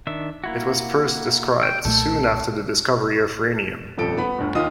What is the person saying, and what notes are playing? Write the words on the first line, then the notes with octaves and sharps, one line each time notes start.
It was first described soon after the discovery of rhenium.
D#3 D4 E5
A#3 E4 F#4
G5
B1 A#2 A3 A4
D#1 F2 A4 D7
B3 B5
G1 D2
D#2 F4 D#5 D#6